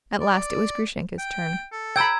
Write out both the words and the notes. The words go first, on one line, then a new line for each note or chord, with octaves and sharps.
At last it was Grushenka's turn.
D5
G5
A4
G5 A#5 B5 E6 G#6